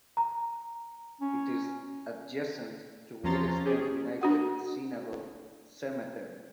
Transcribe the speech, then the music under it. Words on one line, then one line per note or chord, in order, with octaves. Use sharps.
It is adjacent to Willesden United Synagogue Cemetery.
A#5
C#4
E2 F3 C#4 A#5 C6 A6
C#4 G4 G#4
D4 F#4 F#5